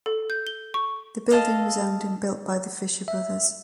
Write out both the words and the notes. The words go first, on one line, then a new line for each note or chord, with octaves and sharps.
The building was owned and built by the Fisher Brothers.
A4
G6
G7
C#6
A4 D#5 F5
E5